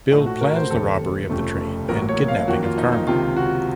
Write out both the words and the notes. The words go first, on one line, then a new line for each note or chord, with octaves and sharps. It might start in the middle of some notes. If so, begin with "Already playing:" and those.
Bill plans the robbery of the train and kidnapping of Carmen.
A#1 A2 A3 D#4
F#4
A#4
C5
F1 D#2 C#3 A4
F1 F2 C#3 A3
A1 A2 F#3 A#3 A#4
C#5
F5
F2 D#3 A#3 F#4
F4
D#4
D#4
C#2 C3 D#3 F4
F#4